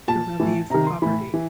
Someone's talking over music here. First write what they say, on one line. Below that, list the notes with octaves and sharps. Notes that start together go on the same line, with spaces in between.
To relieve poverty.
A#2 A5
A2 E3
C3 D#3 A#5
C6
A2 E3 B5
E3